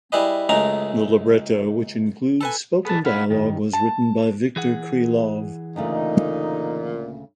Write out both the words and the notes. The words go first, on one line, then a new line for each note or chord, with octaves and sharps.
The libretto, which includes spoken dialogue, was written by Viktor Krylov.
G3 E4 G#4 B4 D#5
C#2 F#2 G#3 A3 A#4 A#5
A4 B4 G#5
B3 G#4 A4 B4 A5
G2 F5 F#5 B5
G2 D#3
A5
E3 G#4 F#5
D2 A#2 C#3 A3 D#4